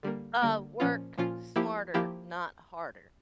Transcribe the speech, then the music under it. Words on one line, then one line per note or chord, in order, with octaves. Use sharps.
Uh, work smarter, not harder.
D3 G3 A#3
D3 G3 A#3
A#2 F3 C#4 F4
A#2 F3 C#4 F4
F3 A#3 E4 G4
F3 A#3 E4 G4